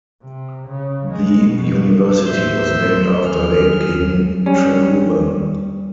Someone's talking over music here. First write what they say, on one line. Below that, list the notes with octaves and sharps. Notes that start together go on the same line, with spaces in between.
The university was named after late King Tribhuvan.
C3
C#3
G#3
B2
A2 C5 E5 C6 E6 G6
D#2 G#4 F6
G3 C#4